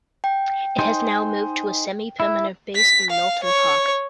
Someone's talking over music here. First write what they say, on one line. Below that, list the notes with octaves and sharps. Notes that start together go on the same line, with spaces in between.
It has now moved to a semi-permanent base in Milton Park.
G5
D#4 G#4 C5
E4
B6
F5
C#5